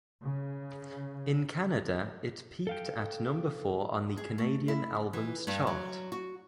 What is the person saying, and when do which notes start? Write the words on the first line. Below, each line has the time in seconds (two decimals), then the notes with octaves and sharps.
In Canada it peaked at number four on the Canadian Albums Chart.
0.22 C#3
2.67 A4 F5 G5
4.18 G#4
4.38 A3
4.68 E4
5.13 E3
5.47 G2
5.67 F#3
6.12 F#4